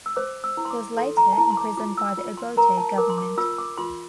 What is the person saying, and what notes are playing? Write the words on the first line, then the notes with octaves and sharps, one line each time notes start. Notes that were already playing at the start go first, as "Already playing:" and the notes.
He was later imprisoned by the Obote government.
E6
C5 D6
E6
E4
C6
D6
A4 C6
A#5
A5
E4 A#5
C6
D6
F4 D6
E6
F4
C6
A#4 A#5
A5
A#4 D6
C6
D6
F4 E6
D6
F4 C6